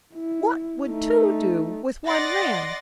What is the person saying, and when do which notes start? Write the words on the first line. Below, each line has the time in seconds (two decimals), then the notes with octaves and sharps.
What would two do with one ram?
0.14 E4
0.89 A3 D#4
2.06 D5 D#5 F#5 C6 A6 A#6